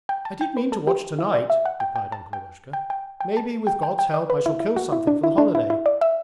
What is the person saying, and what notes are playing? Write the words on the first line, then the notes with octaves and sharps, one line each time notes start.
'I did mean to watch tonight,' replied Uncle Eroshka. 'Maybe, with God's help, I shall kill something for the holiday.
G5
A5
G5
B4
A4
G4
E4
D5
E5
F#5
G5
G5
A5
G5
G5
G5
G5
A5
G5
G5
G5
D5
B4
E4
E4
F#4
E4
D4
E4
D4
E4
E4
D5
E5